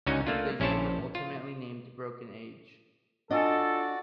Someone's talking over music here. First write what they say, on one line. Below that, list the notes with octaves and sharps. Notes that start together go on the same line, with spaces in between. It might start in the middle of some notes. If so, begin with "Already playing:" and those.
The game was ultimately named "Broken Age".
C#2 D3 C#4 D#4 F#4 G#5
A3 A#3 D4 F4
A#1 C#4 E4 C5 C#5 A5
F4
D4 F4 F#4 A4 D5 D#5 G#5